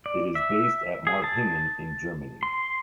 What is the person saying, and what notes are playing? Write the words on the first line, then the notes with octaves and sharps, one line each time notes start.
It is based at Marpingen in Germany.
D5
E5
G#4
A5
C6